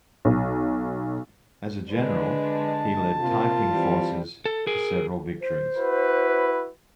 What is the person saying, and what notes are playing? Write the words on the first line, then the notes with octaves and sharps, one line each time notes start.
As a general, he led Taiping forces to several victories.
B1
D3 G#3 D4 B4
A5
C3 A#3 F4
E3 G3 C4
A4
G#4 A#4
C5
E4 F#4 B4